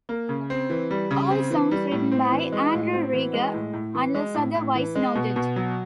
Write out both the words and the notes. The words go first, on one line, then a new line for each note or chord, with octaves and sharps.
All songs written by Andrew Rieger unless otherwise noted.
A#3
C#3
C4
E3
G3
C#3
C4
E3
G3
A2
C4
E3
G#3
A2
C4
E3
G#3
A2
A2
E3
G#3
A2
A2
E3
G#3
B2
B2
F#3